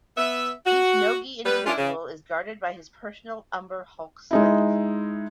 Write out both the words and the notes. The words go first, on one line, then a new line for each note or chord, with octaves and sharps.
Each neogi individual is guarded by his personal umber hulk slave.
B3 E5
F#4
G3 B3 B4
C#4 D4 E4 F4 A#4
C#3
G#3 D#4 E4